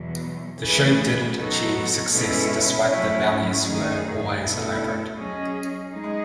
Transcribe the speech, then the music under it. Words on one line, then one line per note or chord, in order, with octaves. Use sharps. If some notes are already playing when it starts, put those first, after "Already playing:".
The show didn't achieve success despite the ballets were always elaborate.
Already playing: E2 B2 F#3
E3 A3 C#4 G#4 B4
F#3 B3 D#4 F#4 A4
B2 G#3 C#4 E4 A4
F#3 A3 C#4 E4
F#2 D#3 A3 D#4 G#4
B2 A3 E4 A4
F#3 C#4 G#4 D#5
G#3 D#4 G#4 D#5